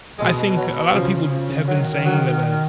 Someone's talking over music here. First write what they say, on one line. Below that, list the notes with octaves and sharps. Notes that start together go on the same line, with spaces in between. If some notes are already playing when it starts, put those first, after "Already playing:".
I think a lotta people have been saying that, uh
B2 G#3
F#3
C#3 F3
D#3 F#3
F#3